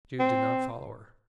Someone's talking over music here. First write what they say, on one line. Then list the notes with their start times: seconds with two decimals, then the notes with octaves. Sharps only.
Jude did not follow her.
0.19 C4